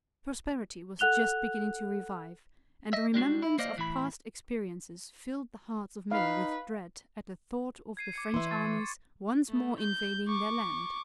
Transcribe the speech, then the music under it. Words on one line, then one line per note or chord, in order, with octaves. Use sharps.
Prosperity was just beginning to revive, and a remembrance of past experiences filled the hearts of many with dread at the thought of the French armies once more invading their land.
A4 F#5 F#6 F7 G7
D#5 E5
G3 G#3 D4 F#4
E4
A#3 C5 D5 D#5 F5
A2 E3 E4 B5
D#4 B4 F5
G#6 C7 D#7
D6 G#6 C#7
E3 E4 C6
C#6 A6
A3
G6
C#6 D6